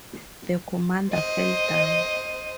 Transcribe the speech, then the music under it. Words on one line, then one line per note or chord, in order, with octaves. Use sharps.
The commander fell down.
C5 D#5